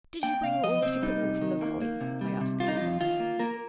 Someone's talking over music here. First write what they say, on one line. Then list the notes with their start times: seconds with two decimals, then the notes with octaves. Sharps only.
"Did you bring all this equipment from the valley?" I asked the Gear Boss.
0.23 A#3 G5
0.43 C3 F5
0.63 F3 D#5
0.82 C3 C4
1.02 G3 D#4
1.21 C3
1.42 D#3
1.61 A#3
1.82 A#3
2.01 C3
2.21 G3
2.41 C3
2.60 G3 F4
2.68 D#4
2.77 F2 F4
3.01 D#3 F4
3.20 A#3
3.39 A#3 A#4